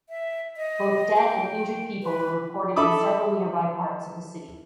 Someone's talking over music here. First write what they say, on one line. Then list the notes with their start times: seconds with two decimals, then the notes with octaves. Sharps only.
Both dead and injured people were reported in several nearby parts of the city.
0.09 E5
0.57 D#5
1.17 G5
2.03 B4
2.76 A4 E5 B5 D6 D#6